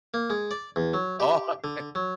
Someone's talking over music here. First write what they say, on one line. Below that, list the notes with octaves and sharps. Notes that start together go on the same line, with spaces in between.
Oh, okay.
A#3
G#3
D5
E2
F#3
G4
D3
F#3